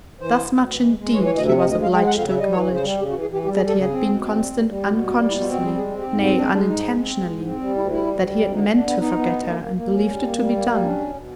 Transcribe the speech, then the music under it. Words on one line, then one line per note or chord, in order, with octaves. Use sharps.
Thus much indeed he was obliged to acknowledge: that he had been constant unconsciously, nay unintentionally; that he had meant to forget her, and believed it to be done.
E3 C5
D2
D2
E3
G#3
G#3
E3 C#5
C#5
D2
D#5
C3 E5
D2 D#5
D#5
G#3
F5
G#3 G5
F2 F#5
F5
C#3
E5
G3 D#5
E3 C#5
C#3
C5
G3
C#3 G4
F#4
E3
G#4
E3 G4
G3 G4
G#4
G3
A4
C#3 G#4
C4
B2
C4
G3
G3
G3
B2 G4
G3
F#4
G3
B2 E4
F4
C4
F#4
G3 G#4
G#3 G#4
C4
G4
G#2
C4 F#4
G#3 D4
G#3 D4
G#2 D#4
G#3
C4
G#3
G#2
C4
G3
D2 E4
G3 E4
D2
G3
D2
D3 D#4
D3
D4
B3
B3 D#4
B3
D2
A#3
A#3
A#3
C#4
G3
A#3
G3
A#3
G3
C#4 D4
B2
B2